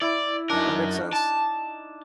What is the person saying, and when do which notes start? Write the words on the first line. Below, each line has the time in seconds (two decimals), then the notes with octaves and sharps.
that makes sense?
0.02 E4 D5
0.50 F#2 D4 D#4 A#4
1.13 A5